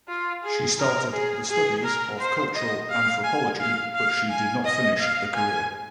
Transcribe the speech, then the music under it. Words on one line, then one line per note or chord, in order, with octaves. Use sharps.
She started the studies of cultural anthropology but she did not finish the career.
F4
G#4
A#4
G#4
G#4
A#4
C5
D#5
F5
G#5
F5
F5
G#5
D#5
F5
G#5